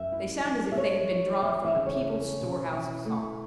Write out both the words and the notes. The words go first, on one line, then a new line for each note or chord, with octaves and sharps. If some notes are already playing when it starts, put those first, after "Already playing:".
They sound as if they had been drawn from the people's store-house of song.
Already playing: F#2 E5
E4
F#3
E5
F#3 C#5
E2
E2 E5
E5
C#3
C#5
C#4
B2
E4
A3